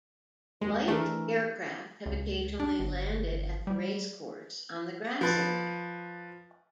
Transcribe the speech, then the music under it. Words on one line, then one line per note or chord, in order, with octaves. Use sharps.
Light aircraft have occasionally landed at the racecourse on the grass area.
D#2 G#3
E3 A3 D4 A#4
C#2
D4
G1
G3
F3 B4 A6